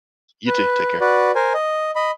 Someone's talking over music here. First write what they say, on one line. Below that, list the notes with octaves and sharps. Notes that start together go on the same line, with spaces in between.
You too, take care.
B4
F#4 B4 D5
A#4 C5 G#5
D#5
D#5 B5